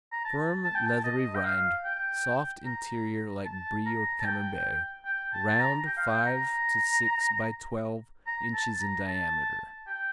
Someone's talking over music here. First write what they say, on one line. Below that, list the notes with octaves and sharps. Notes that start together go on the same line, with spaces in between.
Firm, leathery rind, soft interior like Brie or Camembert; round, five to six by twelve inches in diameter.
A#5
A5
A5
G5
A5
D#5
G5
F5
G5
A#5
A5
A#5
A5
G5
G5
A5
A5
A#5
G5
F5
G5
A#5
A#5
A5
A#5
A5
G5